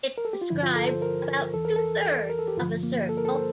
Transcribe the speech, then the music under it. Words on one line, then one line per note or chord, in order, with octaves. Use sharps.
It describes about two-thirds of a circle.
A#4
A4
G4
F4
G2 D3 F3 E4
F4
A4
C5
A#4
E2 E3 A4
A#4
A4
A#4
A4
G4
G2 D3 F3 F4
A#3
A4
A#4
A4
C5